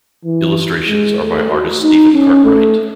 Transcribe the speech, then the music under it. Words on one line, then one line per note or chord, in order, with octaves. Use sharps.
Illustrations are by artist Stephen Cartwright.
E3
G#3
A3
F#4
D#4
C#4
A3